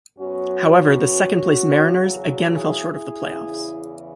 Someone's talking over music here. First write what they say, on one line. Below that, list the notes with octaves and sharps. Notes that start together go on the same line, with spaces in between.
However, the second-place Mariners again fell short of the playoffs.
F#2 F#3 B3 C#4 F#4
E2 C#3 F#3
E4 G#4
E4 G#4
E2 C#3 E3